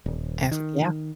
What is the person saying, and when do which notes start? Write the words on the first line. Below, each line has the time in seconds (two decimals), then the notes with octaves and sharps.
That's yeah.
0.06 D#1
0.51 D#3